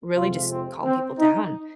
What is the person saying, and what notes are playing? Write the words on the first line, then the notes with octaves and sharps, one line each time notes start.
really just calm people down,
F2 C3 F3 G#3 C4 F4
C4
C4
D#4